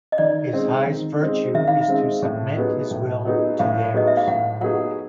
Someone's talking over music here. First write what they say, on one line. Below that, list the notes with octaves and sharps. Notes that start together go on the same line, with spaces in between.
His highest virtue is to submit his will to theirs.
D#5
D#3 D5
G#3 C4 D#4
D#3
G#3 C4 D#4
D#3 E5
F5
E5
G#3 C4 D#4
A2
F#3 B3 D#4 G#4
A2
F#3 B3 D#4 G#4
A2 F5
F#3 B3 D#4 G#4 D#5
E5
F5
A2 F#5
F#3 B3 D#4 G#4 F#5